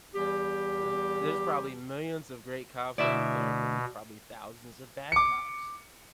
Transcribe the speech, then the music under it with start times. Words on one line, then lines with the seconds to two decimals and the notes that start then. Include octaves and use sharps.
there's there's probably millions of great cops out there, but there's probably thousands of bad cops,
0.15 E2 E3 G3 G4
2.98 D2 B2 E4 D5 E5
5.12 D6 C#7